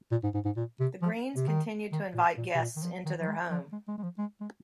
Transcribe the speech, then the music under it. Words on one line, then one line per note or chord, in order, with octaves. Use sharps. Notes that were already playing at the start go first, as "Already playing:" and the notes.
The Greens continued to invite guests into their home.
A#2
G#2
G#2
G#2
A#2
C3
F3
C3
D#3
D#3
A#2
A#2
C3
A#2
D#3
F3
D#3
F3
G#3
F3
G#3
G#3
G#3
F3
G#3
G#3